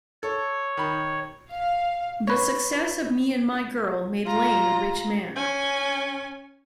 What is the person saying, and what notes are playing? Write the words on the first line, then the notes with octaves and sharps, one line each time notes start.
The success of "Me and My Girl" made Lane a rich man.
A4 C#5
D#3 B5
F5
B4 C#5
F4 A#5
C#4 G#5